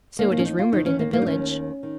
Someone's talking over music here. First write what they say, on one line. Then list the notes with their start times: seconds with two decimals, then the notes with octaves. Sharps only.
'So it is rumored in the village.'
0.19 D#2 D#3 A#3
0.32 A#3
0.39 C#4
0.45 D#4
0.59 F4
0.72 D#2 D#3 D#4
0.86 C#4
0.99 A#3
1.13 A#3
1.22 D#4
1.26 D#2 D#3 C#4
1.83 D#3